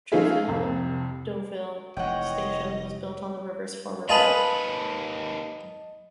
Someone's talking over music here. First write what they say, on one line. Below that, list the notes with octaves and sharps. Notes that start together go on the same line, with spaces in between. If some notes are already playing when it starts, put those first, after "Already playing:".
Trouville-Deauville station was built on the river's former bed.
F3 C#4 D#4 F4 G#4 E5
C2 F2 C3
F1 E3 C#5 D#5 F#5 G5
D#2 F4 G#4 B4 D#5 A5 B5